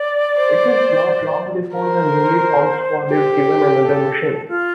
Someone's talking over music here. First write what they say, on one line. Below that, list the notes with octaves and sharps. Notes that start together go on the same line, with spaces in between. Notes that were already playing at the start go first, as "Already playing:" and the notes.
It is not long before the newly formed squad is given another mission.
Already playing: D5
C5
A#4 C5
G4
A4
F4